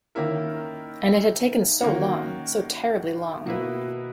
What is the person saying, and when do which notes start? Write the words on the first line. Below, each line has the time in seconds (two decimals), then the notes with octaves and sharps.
And it had taken so long — so terribly long!
0.15 D#3 A#3 C#4 E4 A#4
1.81 D#3 A#3 C#4 F#4
3.46 B2 A#3 E4 B4